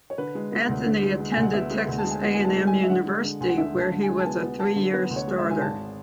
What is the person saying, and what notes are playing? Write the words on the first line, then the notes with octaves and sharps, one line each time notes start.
Anthony attended Texas A and M University, where he was a three-year starter.
C#5
D3 B4
G#3
B3
D2
D3
G#3
G#3
G#5
D2
F#5
B3 E5
G#3
D2
A5
G#3
G#5
B3 F#5
G#3 G#5
A5
G#3
G#5
G#3
E5
D3 F#5
G#3
D3
D2 G#5
F#5
D3 E5
D2
A5
D3
G#5
G#3
A5
B3 G#5
B3
B3 A5
D3
B3 B4
D2
C#5
G#3
E5
G#3
G#5
G#1 A5